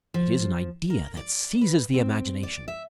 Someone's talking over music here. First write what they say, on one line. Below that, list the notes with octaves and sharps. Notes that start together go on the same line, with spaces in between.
It is an idea that seizes the imagination.
F3
A#4
D5
B4
C4
D5
E5